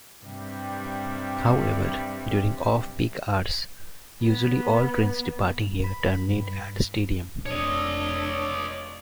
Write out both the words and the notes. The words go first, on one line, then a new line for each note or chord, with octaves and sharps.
However, during off peak hours, usually all trains departing here terminate at Stadium.
G2 C3 G3
B3
B5
G2
F1 D4 C#5 D#5